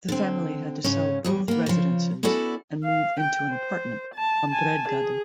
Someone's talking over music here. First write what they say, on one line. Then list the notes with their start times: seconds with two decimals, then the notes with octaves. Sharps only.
The family had to sell both residences and move into an apartment on Bredgade.
0.08 D3 C4
0.84 G#2 C#3 C#4
1.24 E2 A2 G3
1.48 A#3 B3
1.66 C#3 F3
2.23 B3 C#4 E4 F#4 A4 D5
2.84 F5
3.20 G5
3.50 C5
4.14 A5
4.50 G#5 A5
4.89 G#4